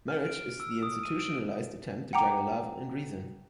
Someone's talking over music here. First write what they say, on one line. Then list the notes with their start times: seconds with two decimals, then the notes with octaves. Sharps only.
Marriage is the institutionalized attempt to juggle love and reason.
0.08 F6
0.26 D7
0.60 E6
0.83 D#6
1.03 D#7
1.19 D7
2.13 F#5 G5 A#5 D6